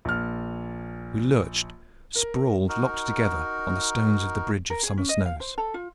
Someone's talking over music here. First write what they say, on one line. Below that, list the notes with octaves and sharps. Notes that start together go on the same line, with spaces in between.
We lurched, sprawled, locked together, on the stones of the Bridge of Summer Snows.
A#1 F6
A#4
D#4 F#4 A#4
A#4
G#4
C#4
D#5
F5
C5
A4
F4